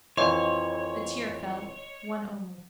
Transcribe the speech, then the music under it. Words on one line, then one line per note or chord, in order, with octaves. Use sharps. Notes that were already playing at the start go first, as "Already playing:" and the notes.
A tear fell: one only.
F2 A#2 E3 C#5 D#5 C6